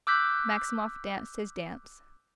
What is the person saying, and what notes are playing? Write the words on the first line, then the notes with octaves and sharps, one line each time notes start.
Maximov danced his dance.
D6 E6 F#6 G6 B6